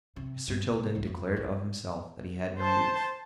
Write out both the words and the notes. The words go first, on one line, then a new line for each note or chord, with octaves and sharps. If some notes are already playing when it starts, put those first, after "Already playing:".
Mr. Tilden declared of himself that he had no youth.
C3
G2
C3
C#2 G#2
F2
G#3 C4
C5 A5